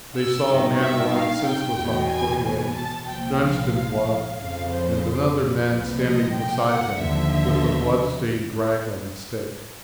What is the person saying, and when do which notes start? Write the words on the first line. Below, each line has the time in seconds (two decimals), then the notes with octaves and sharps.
They saw a man lying senseless on the footway, drenched in blood, and another man standing beside him with a blood-stained rag on a stick.
0.15 E6
0.48 G2 D#3
0.80 E5
1.13 F5
1.45 G5
1.78 E2 B2
2.11 G#5
2.44 G#5
2.76 A5
3.09 C2 A#2 F3 G5
3.41 F5
4.39 F2 C#3 F3 F5
4.71 C5
5.36 B4
5.69 C2 A#2 F3
6.02 D#5
6.34 G5
6.67 F#5
6.99 D#2 D3 F3 E5